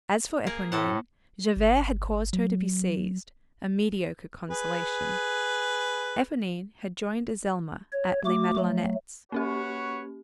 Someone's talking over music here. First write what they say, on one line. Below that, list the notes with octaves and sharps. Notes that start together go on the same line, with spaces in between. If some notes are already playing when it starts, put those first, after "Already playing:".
As for Eponine, Javert had caused her to be seized; a mediocre consolation. Eponine had joined Azelma at Les Madelonettes.
A#3 G#4 A#4
A2 C3 A4 F#5
G1
F#3
G#4 B4
C#5
A3 F#4 D6
F#3 A3
A#3 C#4 F#4 G4 B4 C#5